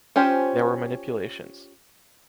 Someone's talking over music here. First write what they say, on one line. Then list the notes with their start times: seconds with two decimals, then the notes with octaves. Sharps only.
There were manipulations.
0.16 C#4 F4 G4 C5 G#5